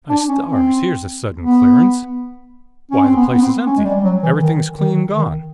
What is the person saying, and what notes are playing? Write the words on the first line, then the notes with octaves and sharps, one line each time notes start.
'My stars!--here's a sudden clearance!--Why, the place is empty,-- everything's clean gone!'
D4
C#4
C4
B3
C#4
C4
B3
B3
C4
C#4
G#3
G3
G3
F#3
E3
D#3
D#3
D#3